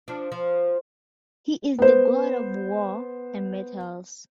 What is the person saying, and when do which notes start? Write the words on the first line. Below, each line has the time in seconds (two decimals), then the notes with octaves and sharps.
He is the god of war and metals.
0.08 F3 D4
0.32 F3
1.79 B3 C5